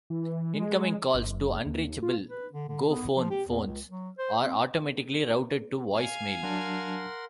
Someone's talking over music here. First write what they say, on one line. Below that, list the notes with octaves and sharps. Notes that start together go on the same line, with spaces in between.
Incoming calls to unreachable GoPhone phones are automatically routed to voice mail.
E3
G#3
G1
F#1
D#2
F4
B4
D3
D3
B3
F3
G4
E2
C#2
F#3
C5
C4
F5 G#5
F#3 D4 A#4 F#5 A5 C6